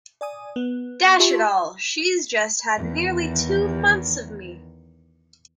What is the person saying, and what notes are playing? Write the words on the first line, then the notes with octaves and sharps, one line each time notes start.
Dash it all, she's just had nearly two months of me.
D5 G#5 D#6
B3
F4 G4 E5 A5 C6 C#6
E2 D#3